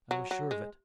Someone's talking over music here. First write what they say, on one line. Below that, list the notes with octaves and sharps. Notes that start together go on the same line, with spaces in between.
I was sure of it.
F#3
F#3
G#3